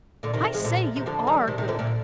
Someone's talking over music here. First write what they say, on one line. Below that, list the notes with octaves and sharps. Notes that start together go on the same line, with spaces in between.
'I say, you ARE good.'
A#2 D3
C3 D#3
F3 G#3
A#2 D3
C3 D#3
D3 F3
D#3 G3
C3 D#3
C3 D#3
A#2 D3
A#2 D3